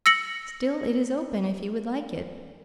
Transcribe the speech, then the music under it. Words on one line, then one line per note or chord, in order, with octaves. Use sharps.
Still it is open, if you would like it.'
E6 A#6 C#7 F#7